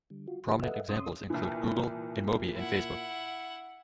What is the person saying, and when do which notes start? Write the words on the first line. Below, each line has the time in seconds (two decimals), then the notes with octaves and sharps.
Prominent examples include Google, InMobi and Facebook.
0.10 D3 G3
0.28 F4 F#4
0.47 D3 E4 G4
0.62 A4 B4 D#5 E5 F#5
0.89 F2 C3 C#4 C6 D#6
1.30 C2 A#2 E3
2.56 E4 F#5